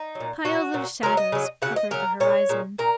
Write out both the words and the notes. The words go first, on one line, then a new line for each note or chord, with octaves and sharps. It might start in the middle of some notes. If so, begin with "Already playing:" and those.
Piles of shadows covered the horizon.
Already playing: D#4
F#3
A#2
A#2 F#3 F#4
A#2 F#3
C#3 F#3 A#4
D#5
C#3 F#3
C#3 F#3 F#5
D#5
C#3 F#3 A#4
A#2 G#3 C#5
A#2 G#3
A#2 A#4